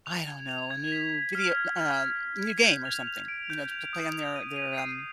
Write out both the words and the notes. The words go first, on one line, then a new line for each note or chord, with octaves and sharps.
I don't know, a new video uh, um, new game or something, you know, t to play on their their, um
F7
G#6
F7
G#6
B6
B6
F6
G#6
F6
F6
F6
G#6
G6
F7
F7
D7
G6
F7
D#6
F7
D#7
D#7
C7